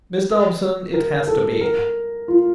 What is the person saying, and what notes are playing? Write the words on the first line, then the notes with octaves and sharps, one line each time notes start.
Miss Dobson, it has to be.
A#4
A4
A#4
F4